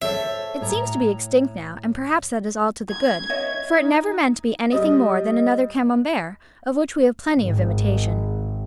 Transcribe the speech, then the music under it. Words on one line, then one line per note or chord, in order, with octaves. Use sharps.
It seems to be extinct now, and perhaps that is all to the good, for it never meant to be anything more than another Camembert, of which we have plenty of imitation.
A4 C5 C#5 E5
A2 C#5 A#5
G#6
C#5 D#5 E5
D#4
G3 D#5
G#1